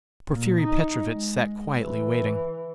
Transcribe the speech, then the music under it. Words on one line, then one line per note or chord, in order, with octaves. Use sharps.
Porfiry Petrovitch sat quietly waiting.
A#2
D#4
G#3
E3